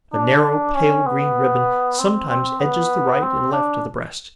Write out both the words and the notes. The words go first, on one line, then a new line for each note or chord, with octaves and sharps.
A narrow pale-green ribbon sometimes edges the right and left of the breast.
D4
C#4
B3
C4
C4
B3
C4
D4